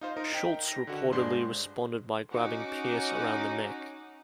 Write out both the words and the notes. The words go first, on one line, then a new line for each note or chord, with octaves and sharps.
Schultz reportedly responded by grabbing Pearce around the neck.
D#4 F4 C5
D#4 A#4 D#5
D#4 G5 B6
A#6
D3 F#4
G2 G#3 D4 C5 C6
C#4 D#4 F#4 F#5 D6